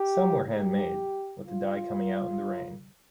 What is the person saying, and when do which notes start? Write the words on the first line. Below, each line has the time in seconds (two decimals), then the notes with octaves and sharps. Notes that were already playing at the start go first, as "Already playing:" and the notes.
Some were handmade, with the dye coming out in the rain.
Already playing: G4
0.53 G4
1.47 F4